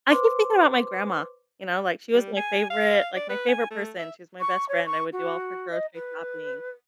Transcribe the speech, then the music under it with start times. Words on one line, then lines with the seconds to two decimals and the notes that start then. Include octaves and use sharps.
I keep thinking about my grandma, you know, like, she was my favorite, like, my favorite person, she was my best friend, I would do all of her grocery shopping,
0.11 B4 C5 C6 D6
2.14 G3
2.37 G#5
2.70 F5
3.16 D5
3.29 B4
3.49 G#5
3.70 A3
3.99 E5
4.40 C#6
4.68 C#5
4.86 C#6
5.12 F#4
5.71 D#5
5.94 B4